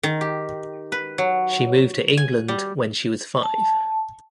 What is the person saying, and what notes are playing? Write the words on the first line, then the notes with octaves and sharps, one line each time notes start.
She moved to England when she was five.
D#3
G4
B4
F#3
G#5
G3
A5